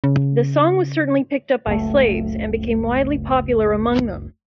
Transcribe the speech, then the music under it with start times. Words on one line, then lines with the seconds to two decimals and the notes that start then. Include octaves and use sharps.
The song was certainly picked up by slaves and became widely popular among them.
0.04 C#3
1.67 F#1 C#2 A3